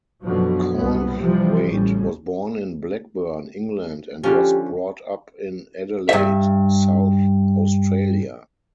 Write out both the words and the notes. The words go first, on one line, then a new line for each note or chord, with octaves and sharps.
Cornthwaite was born in Blackburn, England and was brought up in Adelaide, South Australia.
F#2 B2 D3 F3 F#3
C2 A#2 B3 C#4
C3 E3 F3 G3
A1 A2 C#3 G3 C#4
D3 F3 C#4 G4
G2 E5